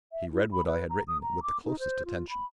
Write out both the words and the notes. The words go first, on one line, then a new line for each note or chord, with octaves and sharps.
He read what I had written with the closest attention.
E5
E4
B5
B4
A#5
D#6
A#5
D6
D#4
C5
F4
B5